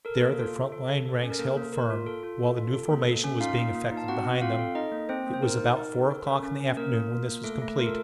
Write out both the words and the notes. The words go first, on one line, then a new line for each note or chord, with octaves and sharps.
There their front-line ranks held firm, while the new formation was being effected behind them. It was about four o'clock in the afternoon when this was complete.
A4 A#4
A4
A#3
F4 A4
A4
A4
A4
A4
C#4
A#4
A#3 A4
A#3
A#3 A#4
F4
A4
F4
A4
F4
A4
A#3
A4
C#4
D#4 F4 F5
A#3
A#3
D#4
A5
C4 F#4 F#5
C4
C4 F4 F5
A4
D#4 A4 D#5
A#3
A#3 C4 C5
A#3
C5
D#4 A#4
D#4
D#4
A4
A4
C#4
C#4
C#4
A#3 A#4
A#3
F4
A#3
A3 A4
A3
F4 A#4
A4